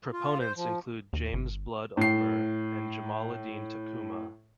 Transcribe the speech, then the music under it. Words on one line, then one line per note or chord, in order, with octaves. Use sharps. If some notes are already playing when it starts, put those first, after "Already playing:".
Proponents include James Blood Ulmer and Jamaaladeen Tacuma.
F4
C5
F3
D#2
G1
A2 C7